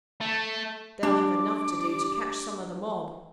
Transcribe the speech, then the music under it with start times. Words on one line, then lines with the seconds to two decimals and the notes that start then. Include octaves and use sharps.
They'll have enough to do to catch some of the mob.
0.21 A3
1.03 G3 D4 D6